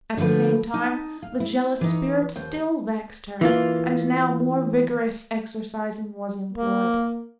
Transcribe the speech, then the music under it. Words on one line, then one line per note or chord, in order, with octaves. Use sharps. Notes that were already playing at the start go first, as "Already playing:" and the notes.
At the same time, the jealous spirit still vexed her, and now more vigorous exorcising was employed.
D3 F3 A3 F4 B4
D#4 A5
F5
E4
E3 D#4
D#2 C5
E3 A#3 F4
A#3